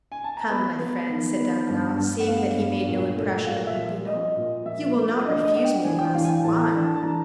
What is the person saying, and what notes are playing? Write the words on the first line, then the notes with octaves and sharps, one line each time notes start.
"Come, my friend," said Danglars, seeing that he made no impression on Peppino, "you will not refuse me a glass of wine?"
G#5
A5
A#5
B3 B5
B3
D#3
B3
G2
G2
F#5
B3 F5
G2
A#2
A3
A#2 F5
E5
F3
F3 D#5
A#2
F3 E5
A3
D4 D#5
D#5
D4 F#5
G5
E3 G#5
G5
E3 F5
G#5
G5
A2 A5
A#5
D4 A5
A5
E3 A#5